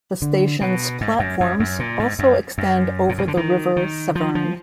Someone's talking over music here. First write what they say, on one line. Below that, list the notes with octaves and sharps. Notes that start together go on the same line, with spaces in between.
The station's platforms also extend over the River Severn.
D3
B2
G#2
F#2
F#2
F#2
A#2
G#2
F#2
F#2
A#2
B2
D3
D#3
D#3
F3
F3